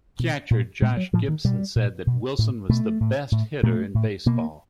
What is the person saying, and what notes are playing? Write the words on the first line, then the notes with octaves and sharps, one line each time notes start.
Catcher Josh Gibson said that Wilson was the best hitter in baseball.
B2
A#2
A#2 G#3
F#3
A2 F3
D#3
B2 G3
A#2
B2
A2
B2 A3
A2
A2
A#2 A3
A2
B2 A#3